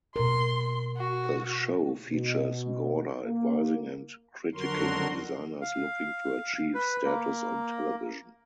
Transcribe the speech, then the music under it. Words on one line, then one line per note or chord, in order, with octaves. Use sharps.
The show features Gorder advising and critiquing designers looking to achieve status on television.
B2 A#4 C6
F#4
B2
A#3
F2 D3 F#3 F#4 A#4 C6
F5
B4
A#3